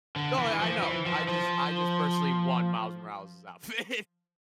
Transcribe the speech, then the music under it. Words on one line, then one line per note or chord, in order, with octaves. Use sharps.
No, I I know. I just I just personally want Miles Morales' outfit.
D3
E3
F3
E3
F3
F3